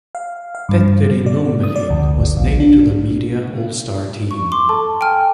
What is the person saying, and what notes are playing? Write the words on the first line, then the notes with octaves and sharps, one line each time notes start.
Petteri Nummelin was named to the Media All-Star team.
F5
F5
G2
D5
D#6
D5
D2
G1
A#1
D4
C#6
C6 D6
A4 A5
G5 G#5 F6